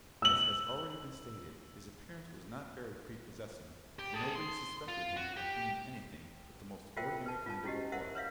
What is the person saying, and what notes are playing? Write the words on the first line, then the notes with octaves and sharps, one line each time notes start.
As has already been stated, his appearance was not very prepossessing, and nobody suspected him of being anything but the most ordinary kind of a plug.
E6 F#7
G4
G#4 A4
C6
F4
F#4
G4
F4 F#4 A#4 C5 E5 G5
B4 A5
F4 B4 A5
C#4 E4 F#4 G4 D#5
A#4 C5 E5 F#5
B4 C#5 E5 F5